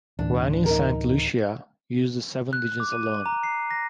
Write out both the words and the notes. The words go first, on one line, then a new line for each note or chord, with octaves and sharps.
When in Saint Lucia, use the seven digits alone.
D2 A2 E3 D4
D#4 A#4
F#6
D6
D#7
A#5
C7
A#6